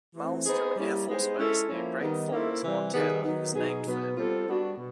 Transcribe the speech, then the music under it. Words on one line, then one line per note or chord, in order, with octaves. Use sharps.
Malmstrom Air Force Base near Great Falls, Montana is named for him.
E3 A3 C4
B3 D#4 G#4 C5
G3 A#3 C#4 E4 G4
G#3 B3 D#4 G#4 C5
G#3 C#4 E4 A4
F3 A#3 C#4 E4
D#3 G3 B3 D#4
A#3 C#4 E4 A4 C5
C3 E3 G3
D#3 G3 B3 D#4 G#4
D#3 F#3 B3 D#4
B2 F#3 B3 D#4 G#4
B2 F#3 B3
G3 C4 F4 A4 C5
G3 B3 D4 F#4
B2